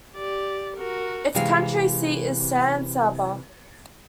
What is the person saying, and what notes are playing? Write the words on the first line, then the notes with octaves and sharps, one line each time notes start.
Its county seat is San Saba.
G4 D5
F#4 A#4
C3 E3 G#3 F5